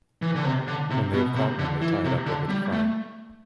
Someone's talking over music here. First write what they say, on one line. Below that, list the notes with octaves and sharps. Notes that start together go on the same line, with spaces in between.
When they have caught one they tie it up over the fire.
E3
D3
C3
D3
C3
B2
C3
D3
E3
C3
D3
G3
A3